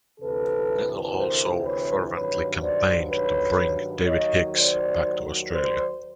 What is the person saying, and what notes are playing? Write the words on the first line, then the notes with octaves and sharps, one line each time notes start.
Nettle also fervently campaigned to bring David Hicks back to Australia.
D2 C3 E3 A4 B4
A#4 C5
B4 C#5
G2 D#3 F#3 B4 C#5
C5 D5
B4 C#5
D#2 D#3 F#3 C#5 D#5
C5 D5
C5 D5